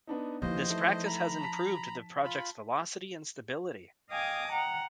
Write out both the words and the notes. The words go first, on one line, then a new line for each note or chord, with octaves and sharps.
This practice has improved the project's velocity and stability.
B3 D4 D#4
D#2 E3 F3 D#4 C5 D#5
E3 A3
A#5 B5
A5 B6
F4 B5
D#5 F5 G5 G#5 D6 D#6
F#5 G5 A#5